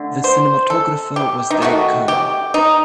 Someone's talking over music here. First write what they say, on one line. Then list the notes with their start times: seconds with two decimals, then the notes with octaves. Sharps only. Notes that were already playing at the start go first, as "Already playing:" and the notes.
The cinematographer was Derrick Cohan.
Already playing: D3 A3
0.24 C5
0.70 A4
1.16 G4
1.50 D#4
1.62 D#3 A3 F#4
2.08 G4
2.54 D#4